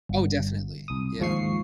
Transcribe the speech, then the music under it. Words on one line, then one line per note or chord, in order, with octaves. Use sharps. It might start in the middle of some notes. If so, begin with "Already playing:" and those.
Oh, definitely, yeah.
G1
C2 D#6
D#2 G#2 F3 C#6 C7